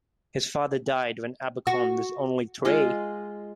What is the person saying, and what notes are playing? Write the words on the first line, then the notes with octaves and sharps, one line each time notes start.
His father died when Abercorn was only three.
F#4
G#3 F4 D#5